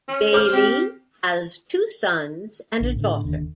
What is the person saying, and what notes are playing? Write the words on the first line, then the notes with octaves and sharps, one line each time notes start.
Bailey has two sons and a daughter.
C#4
C5 D6 F6
C4 G4
A#1 D3
A2 D3
E1 D#2 D3